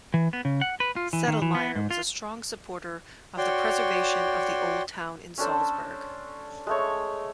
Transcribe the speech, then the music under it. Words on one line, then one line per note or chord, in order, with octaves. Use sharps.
Sedlmayr was a strong supporter of the preservation of the old town in Salzburg.
E3
B3
C#3
F#5
B4
F4
E3
D#3
E3
B3
G#2
F4
F#4 C#5 D5 G5 C6
C#4 D4 A4 C5
G#3 A3 C#5